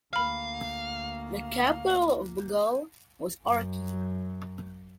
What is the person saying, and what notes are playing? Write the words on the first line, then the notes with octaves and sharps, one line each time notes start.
The capital of Baghal was Arki.
D2 A#3 F5 B5 F6
F#2 F#3